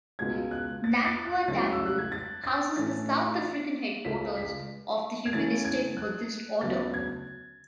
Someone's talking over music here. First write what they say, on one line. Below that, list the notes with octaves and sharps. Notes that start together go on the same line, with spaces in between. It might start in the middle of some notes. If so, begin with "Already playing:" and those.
Nan Hua Temple houses the South African headquarters of the Humanistic Buddhist order.
C#2 B2 G#3 G#6
F#6
A6
A6
F#6
C#2 C#3 F#3 A3 E4 A6
E6
F#6
G#6
A6
A6
A2 E3 A3 C#4 A6
C#2 C#3 G#3 B6
B6
G#6
C#3 E3 A3 C#4 E4 A6
G#6
F#6
D2 C#3 F#3 B3 A6
G#6